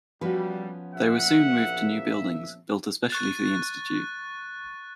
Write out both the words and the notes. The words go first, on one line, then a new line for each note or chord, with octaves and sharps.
They were soon moved to new buildings, built especially for the institute.
F3 G3 B3 C#4 F#4 B4
A#1 A#3 E5 F#5
C#6 F#6 A6